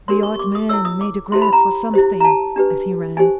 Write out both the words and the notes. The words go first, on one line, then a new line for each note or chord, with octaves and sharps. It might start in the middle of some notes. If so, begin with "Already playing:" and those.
The odd man made a grab for something as he ran.
D4 G4 A#4 C#5 C6
C#6
C#6
D6
D#6
E4 A4 C#5 E6
D#6
D6
E4 G4 C5 C6
B5
A#5
E4 G4 C5
A#5
A5
D4 G4 B4
D#4 G4 C5 G#5